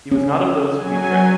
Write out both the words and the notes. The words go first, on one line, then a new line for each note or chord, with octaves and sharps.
He was not of those who betray.
C#4
F#3 G#5